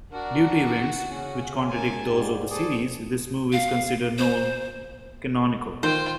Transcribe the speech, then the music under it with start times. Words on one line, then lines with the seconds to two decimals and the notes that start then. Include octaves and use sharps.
Due to events, which contradict those of the series, this movie is considered non-canonical.
0.12 D4 F#4 A#4 F#5
1.09 C#3 C#4
1.69 A#4 G#5 A5
2.04 G#2 G3
2.50 G#4 A4 C5 D5
3.53 F5
4.18 C5
5.83 D#3 F4 C5 G5